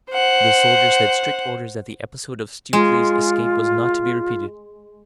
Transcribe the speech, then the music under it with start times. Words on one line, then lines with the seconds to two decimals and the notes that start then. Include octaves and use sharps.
The soldiers had strict orders that the episode of Stuteley's escape was not to be repeated.
0.12 C5 F#5
2.73 G#3 F4